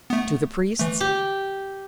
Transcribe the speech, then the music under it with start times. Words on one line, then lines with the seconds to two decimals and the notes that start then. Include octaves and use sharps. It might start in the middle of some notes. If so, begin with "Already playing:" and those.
"To the priests?"
0.10 A3 B3
0.79 E3 A3
1.01 G4